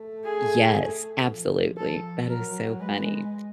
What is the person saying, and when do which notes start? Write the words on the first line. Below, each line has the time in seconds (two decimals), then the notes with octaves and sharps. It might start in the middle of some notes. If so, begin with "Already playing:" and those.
Yes. Absolutely. That is so funny.
Already playing: A3
0.24 G#4
1.27 F3
1.77 F3 A4
2.29 F#3 A#4
2.80 G#3 B4